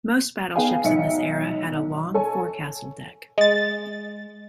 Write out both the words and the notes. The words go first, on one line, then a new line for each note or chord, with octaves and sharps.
Most battleships in this era had a long forecastle deck.
B3 G#4 F5 G5 G#5
B1 G#2 D#4 E5 C#7
A4 C#5 G#5
G#3 A6